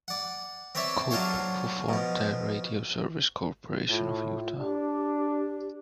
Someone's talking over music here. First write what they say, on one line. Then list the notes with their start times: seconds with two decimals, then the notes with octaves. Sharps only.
Cope, who formed the Radio Service Corporation of Utah.
0.08 D5 F#5
0.75 C4 B4 C#5 D5 E5
1.11 F#3 D4 F4 A4 C5 C#5
1.89 B2 F3
3.89 A2 F4
4.59 D4 G4